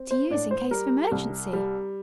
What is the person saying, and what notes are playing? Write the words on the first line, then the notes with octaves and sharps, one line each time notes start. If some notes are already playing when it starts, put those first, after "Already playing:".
"To use in case of emergency."
Already playing: C4
C5
A2 D4 D5
C5
G3 A#4
C2
G3